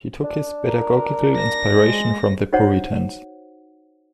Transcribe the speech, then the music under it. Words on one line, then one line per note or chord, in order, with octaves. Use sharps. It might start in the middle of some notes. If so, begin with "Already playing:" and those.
He took his pedagogical inspiration from the Puritans.
D4
A#4
A#6
G#3
D#4 F#4 C5 C#5 F#5